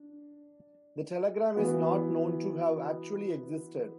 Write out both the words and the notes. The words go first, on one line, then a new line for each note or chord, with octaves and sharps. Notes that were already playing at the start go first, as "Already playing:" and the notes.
The telegram is not known to have actually existed.
Already playing: D4
E3 B3 F#4